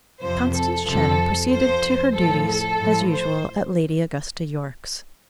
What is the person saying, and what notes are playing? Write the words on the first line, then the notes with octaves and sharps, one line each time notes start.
Constance Channing proceeded to her duties as usual at Lady Augusta Yorke's.
F2 C3 F3 C5
A4
F2 C3 F3 A4
F2 F3 C5
A2 F3 A4
A4
A2 F3
C5